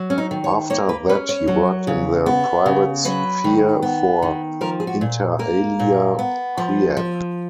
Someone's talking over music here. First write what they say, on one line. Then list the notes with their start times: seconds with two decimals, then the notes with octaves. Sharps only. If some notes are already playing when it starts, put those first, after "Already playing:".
After that he worked in the private sphere for, "inter alia", Kreab.
Already playing: F#3
0.10 C#4
0.18 D#4
0.31 D#3
0.44 C#5
0.70 A#3 C#5
0.89 B4
1.09 C#4 B4
1.29 C#5
1.48 F#3
1.87 C#3
2.26 B3
2.66 C#3
3.05 F#3 B4
3.44 D#3
3.83 B3
4.22 D#3
4.61 F3 A#4
4.80 G#4
4.87 F#4
5.01 A#2
5.39 A#3 A#4
5.79 A#2
6.19 B3
6.58 F3
6.97 F3